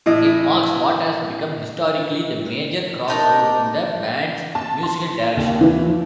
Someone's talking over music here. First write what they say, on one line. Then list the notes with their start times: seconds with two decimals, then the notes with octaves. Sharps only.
It marks what has become historically, the major crossroad in the band's musical direction.
0.06 A2 E3 D#5
3.08 D4 D#4 A#4
4.55 A5
4.83 C6
5.37 D#2
5.61 E3
5.87 F3